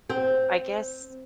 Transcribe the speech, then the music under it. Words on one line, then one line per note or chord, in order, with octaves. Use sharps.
I guess
C4